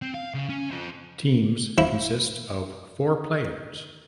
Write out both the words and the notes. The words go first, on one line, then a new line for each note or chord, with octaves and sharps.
Teams consist of four players.
C4
F5
C#3
C#4
C4 F4
F3 E4